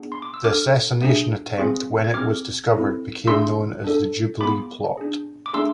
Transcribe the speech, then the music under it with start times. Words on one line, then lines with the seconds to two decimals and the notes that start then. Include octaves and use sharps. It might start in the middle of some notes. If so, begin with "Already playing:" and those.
This assassination attempt, when it was discovered, became known as the Jubilee Plot.
Already playing: B3 D4 G#4
0.12 C6
0.22 D6
0.34 E6
0.44 D4 A4 D6 F6
1.02 A3 D4 G#4
1.58 C4 F4 G#4
2.04 G#6
2.14 C4 G#4 D6 F6
2.71 C4 E4 A4
3.27 A3 D4 F4 G#4 C6 E6
3.84 D4 A4
4.41 B3 F4 G#4 B5 D6
4.97 D4 G#4
5.46 D6
5.53 A3 D4 G#4 C6 E6